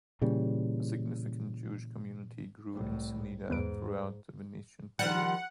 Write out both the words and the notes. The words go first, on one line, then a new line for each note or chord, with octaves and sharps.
A significant Jewish community grew in Ceneda throughout the Venetian period.
A#2 C#3 E3 G3
C2 A2
E2 G#2 B4 D7
D#3 F3 G3 F#5